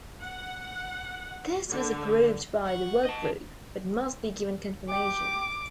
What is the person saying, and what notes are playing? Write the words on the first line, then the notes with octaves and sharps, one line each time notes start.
This was approved by the work group, but must be given confirmation.
F#5
D3
F#5 C#6
D#5 A5
G4 D6